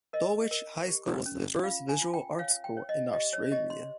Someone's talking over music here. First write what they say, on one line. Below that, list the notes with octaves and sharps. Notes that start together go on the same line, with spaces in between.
Dulwich High School was the first Visual Arts School in Australia.
A#4 D#5
A#4
G4
C#4
F4 F5
G#5
F4
G5
C#5 F5
G5
C#5
D#5
G4 D#5
C#5
G4 D#5
C6